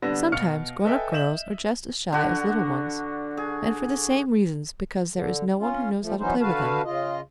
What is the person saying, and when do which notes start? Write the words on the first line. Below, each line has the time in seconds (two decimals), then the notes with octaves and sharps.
Sometimes grown-up girls are just as shy as little ones--and for the same reasons because there is no one who knows how to play with them.
0.02 D3 G3 B3 D4 B4 A#6
0.32 B2 F5 F6 C#7
0.85 A4 B4 D#5 E5 G5 G#5
1.12 D#5 E5 G6 E7 F#7
2.12 D3 D4 F#4
3.37 G#4
5.14 D3
5.59 C#4 F4
6.01 F3 A3
6.19 E3 F#3 B3 C#4 D#4 C5
6.41 D3 F#4 B4 F5 A5
6.84 C#3 F4 D#5